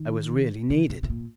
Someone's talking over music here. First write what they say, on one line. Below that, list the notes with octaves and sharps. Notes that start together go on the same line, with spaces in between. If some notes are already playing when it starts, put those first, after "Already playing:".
I was really needed.
Already playing: D#3
C#3
C3
C3
A#2